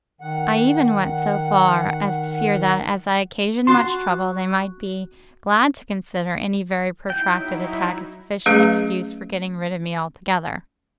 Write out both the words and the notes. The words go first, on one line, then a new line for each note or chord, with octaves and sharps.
I even went so far as to fear that, as I occasioned much trouble, they might be glad to consider any very protracted attack as sufficient excuse for getting rid of me altogether.
D#3 F#5
F#4 A5 C6
F#3 D#4 E4 G5
F#3 A3 C#4 G#4 B4 F5